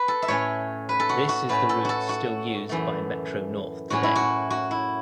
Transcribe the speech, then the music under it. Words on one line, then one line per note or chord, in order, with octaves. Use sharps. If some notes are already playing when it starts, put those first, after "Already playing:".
This is the route still used by Metro-North today.
Already playing: B4
A4
E5
A2 A3 C#4 C#5
B4
A4
F#4
F#4
A2 A3 C#4 B4
A4
F#4 A4
F#4
F#2 E3 A3
A2 F#3 C#4 F#4
E4
F#4
F#4
E4